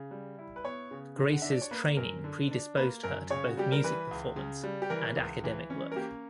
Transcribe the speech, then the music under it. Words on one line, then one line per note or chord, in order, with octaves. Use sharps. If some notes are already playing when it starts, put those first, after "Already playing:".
Grace's training predisposed her to both music performance and academic work.
Already playing: C#3
G3
E4
B4
B3 C#5
C#3
D3
F#5
D4 E5
D5
C#5
A#3 B4
F#2 A#4
D3
D4
A#3 B4
F#2 A#4
C#3 C#5
F#4
G3 G4
A#4
E3 B4
C#2
C#3
G3
G4
E3 A#4
C#2
E3
C#4
A#4
A#3 G4